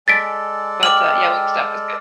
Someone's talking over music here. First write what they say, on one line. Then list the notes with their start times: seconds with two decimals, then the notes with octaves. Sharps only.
But, uh, yeah, Wingstop is good.
0.08 G#3 A4 D5 G#5 A6 B6 D7
0.83 G5 D6 F6 F#7